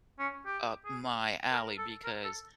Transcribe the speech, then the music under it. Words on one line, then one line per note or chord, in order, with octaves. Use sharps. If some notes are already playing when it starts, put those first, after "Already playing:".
up my alley," because
C#4
G4
G#4
A#4
A4
A#4
A4